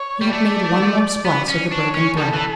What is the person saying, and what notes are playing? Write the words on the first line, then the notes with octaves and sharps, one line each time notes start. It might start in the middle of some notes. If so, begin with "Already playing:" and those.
He had made one more splice of the broken thread.
Already playing: C#5
G3
A3 D5
B3
C#4
D4 C#5
C#4
G3 A4
E3